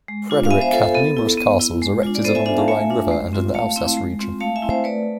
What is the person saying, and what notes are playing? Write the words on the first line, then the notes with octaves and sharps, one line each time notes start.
Frederick had numerous castles erected along the Rhine river and in the Alsace region.
G#3
D4 F4
F5
B3 E5 G#5
C5 E5
F4 A4 C5
A4
B3 A4
E4
B3
E4
G#3
D4 F4
D5
B3 A4 C5
E5 G#5
D4 F4 E5 G#5
F5 A5
A3 E5 G#5
D4 F4
G#3
C4 F4
A3 F5 A5
C4 E4
G#3
C4 F4
A3 F5 A5
E5 G#5
C4 E4
C5 E5
A3 B4 D5